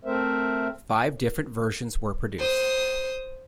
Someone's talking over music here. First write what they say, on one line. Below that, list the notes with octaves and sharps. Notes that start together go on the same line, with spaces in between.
Five different versions were produced.
A3 C4 A#4 C5 E5
C5 D#6